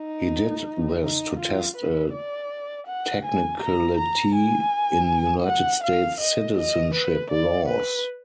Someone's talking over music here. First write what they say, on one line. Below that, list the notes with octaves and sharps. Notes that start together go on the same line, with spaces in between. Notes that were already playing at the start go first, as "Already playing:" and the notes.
He did this to test a technicality in United States citizenship laws.
Already playing: D#4
D#4
F4
B4
D5
F#5
G#5
A#5
A#5
G#5
F#5
F5
D#5
D#5
B4
D5
B4